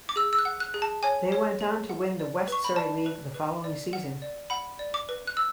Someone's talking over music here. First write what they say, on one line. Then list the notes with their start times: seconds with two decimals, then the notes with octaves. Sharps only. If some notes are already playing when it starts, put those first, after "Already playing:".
They went on to win the West Surrey League the following season.
0.09 D6
0.16 G#4 E6
0.33 E6
0.39 F#6
0.45 F#5
0.60 F#6
0.74 G#4
0.82 A5
1.03 C#5 G#5
1.32 C#5
1.61 G#4
1.89 F#5
2.19 D5
2.48 B4 C#6
2.64 B5
2.76 D5 A5
3.06 B4
3.34 B4
3.64 D5
3.93 F#5
4.22 D5
4.50 F#5 B5
4.79 D5
4.94 D6
5.09 B4
5.27 F#6
5.37 E6